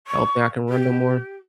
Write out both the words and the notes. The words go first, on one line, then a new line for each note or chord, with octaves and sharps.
I don't think I can run no more.
C#6
G4